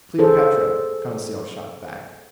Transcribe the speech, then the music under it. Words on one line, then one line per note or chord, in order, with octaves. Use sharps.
"Cleopatra," Conseil shot back.
G#4 A4 C5